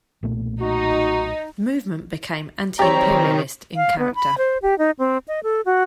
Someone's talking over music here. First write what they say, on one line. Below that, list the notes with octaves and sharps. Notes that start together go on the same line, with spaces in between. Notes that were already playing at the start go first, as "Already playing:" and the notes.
The movement became anti-imperialist in character.
B1 A#2 A3
D#4 F#4
D#3 F#3 G3 C4 G4 C#5 A#5
F5
B3
B5
C5
G4
D#4
C4
D#5
A4
F#4